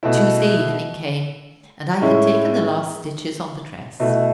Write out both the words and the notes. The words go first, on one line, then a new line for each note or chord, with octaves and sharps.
Tuesday evening came, and I had taken the last stitches on the dress.
B2 A3 E4
A2 G#3 C#4 E4
B2 A3 E4